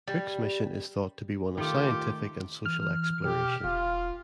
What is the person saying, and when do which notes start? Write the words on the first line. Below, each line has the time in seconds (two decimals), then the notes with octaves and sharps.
Cook's mission is thought to be one of scientific and social exploration.
0.08 G3
1.58 D#3 A3 F4 G4 D6
2.66 E3 F6
3.25 B2 G4
3.64 E1 F4